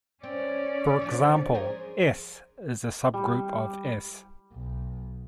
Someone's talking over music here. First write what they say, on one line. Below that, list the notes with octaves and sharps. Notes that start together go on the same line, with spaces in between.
For example "S" is a subgroup of "S".
C4 C#4 D5
E3 F3 D4
G#4 A#4 C5
G3
B1